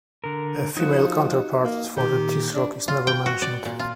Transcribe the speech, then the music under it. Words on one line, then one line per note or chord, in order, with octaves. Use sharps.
A female counterpart for the Tisroc is never mentioned.
D3 A#4
F3 D#4 F#4
A#3
A#2 D#3 G4
D4
F4
G5
F#4
D5
A#2
F4